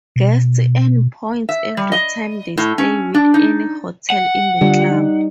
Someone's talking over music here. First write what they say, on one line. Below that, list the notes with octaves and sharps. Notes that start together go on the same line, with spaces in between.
Guests earn points every time they stay with any hotel in the club.
B2
E5
G3
D#5
A2
C#4
D4
D#4
F#5
D3 G3 F4
D#4